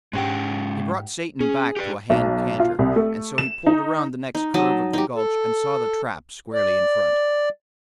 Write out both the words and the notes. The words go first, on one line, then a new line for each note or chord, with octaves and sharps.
He brought Satan back to a hand canter, and so he pulled around the next curve of the gulch and saw the trap squarely in front.
G#2 G#3 C#4 G4 F#5 G5
C#4 G#4
G4 B4 D5
B1
F4
C2
A3
E7
D#4
D#4
F#3 D#4 D#5 A5
D#4 G4
A4
D5